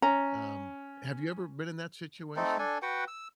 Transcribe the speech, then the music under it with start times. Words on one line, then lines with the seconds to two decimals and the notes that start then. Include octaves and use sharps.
Um, have you ever been in that situation?
0.02 C#4 A#5
2.36 A3 C4 D#4 A4
2.59 D4 A4 G#5
2.82 F#4 B4 F#5 G5
3.08 E6